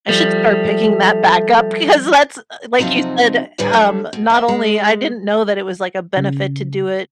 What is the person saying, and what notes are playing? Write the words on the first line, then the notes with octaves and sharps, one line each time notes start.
I should start picking that back up because that's, uh, like, you said, eh, um not only I didn't know that it was, like, a benefit to do it
F3 G3 A3
C3 F3 F#3 C4 D#4
D2 A2 G3 G#4 B4 D5
D3 F#3 A3
B2
F2 A#3 E5
G#3
C#3